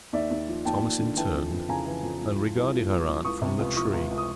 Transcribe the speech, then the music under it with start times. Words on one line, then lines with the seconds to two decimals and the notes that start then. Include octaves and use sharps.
Thomasin turned and regarded her aunt from the tree.
0.13 D#2 D5 E5
0.31 D#2
0.48 F3
0.65 D#2 G5 A5
0.82 D#2
1.00 D3
1.17 E3 G5 A5
1.35 F2
1.52 F2
1.69 C#3 G#5 A#5
1.86 E3
2.03 F2
2.21 C2
2.38 F3
2.56 C2
2.73 A#2
2.90 F3
3.07 C2
3.25 C#2 C#6 D#6
3.42 C3
3.59 C#2
3.76 F3 C#6 D#6
3.93 C#2
4.11 C#2
4.18 D#6